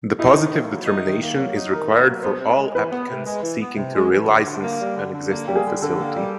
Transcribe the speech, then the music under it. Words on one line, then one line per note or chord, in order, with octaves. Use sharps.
The positive determination is required for all applicants seeking to relicense an existing facility.
D#4 E4
D#3
A#3
F#3
D#4
D#3
A#3
F#3
D#4
D#3 A#4
A#3
F#3
B3 C5
C3
G#3
E3 B4
B3
C3
G#3
E3
B3
C3
G#3
E3
D3
D3
A#3
G3
D3
D3
A#3
G3 G4
G#4
D3
D3 A4
A#3
G3